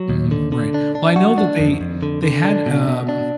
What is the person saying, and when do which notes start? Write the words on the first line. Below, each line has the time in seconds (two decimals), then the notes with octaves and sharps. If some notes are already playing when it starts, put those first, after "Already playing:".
Mhm, right, well, I know that they they had, um
Already playing: F#3
0.09 D#2
0.31 D3
0.52 D3
0.74 D4
0.95 D4
1.16 F#4
1.38 D4
1.60 F2
1.81 F2
2.03 D3
2.23 D3
2.45 D4
2.66 B2
2.88 B2
3.09 D4